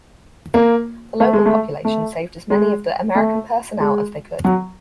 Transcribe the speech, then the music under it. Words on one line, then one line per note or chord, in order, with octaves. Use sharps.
The local population saved as many of the American personnel as they could.
A#3
A3
G#3
A3
A3
G#3
A3
G#3
F#3